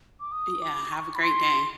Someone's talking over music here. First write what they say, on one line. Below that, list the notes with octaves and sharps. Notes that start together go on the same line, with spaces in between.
Yeah, have a great day.
D6
D#6
D6
C#6
B5
C6